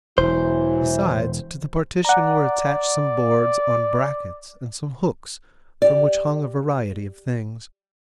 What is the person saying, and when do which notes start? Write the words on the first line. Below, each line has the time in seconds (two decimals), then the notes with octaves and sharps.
Besides, to the partition were attached some boards on brackets and some hooks, from which hung a variety of things.
0.18 E1 E3 F#3 E4 C5
2.05 D5 F#5 A#5
5.82 G4 D5